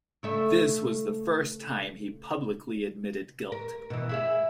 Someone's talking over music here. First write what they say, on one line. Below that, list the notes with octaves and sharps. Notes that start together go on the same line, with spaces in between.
This was the first time he publicly admitted guilt.
C#3 A3 E5
A#4
B2 E3
E4 G#4 E5